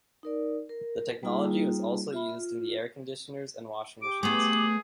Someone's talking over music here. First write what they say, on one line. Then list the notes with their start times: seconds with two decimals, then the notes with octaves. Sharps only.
The technology was also used in air conditioners and washing machines.
0.23 D#4 A#4 D5
0.69 A#4
1.23 G3 A#3 D#4 F4 G#4
2.13 F4 E5 B5
2.29 F4
4.02 G4 D6 D7
4.23 A3 B3 G#4 F#7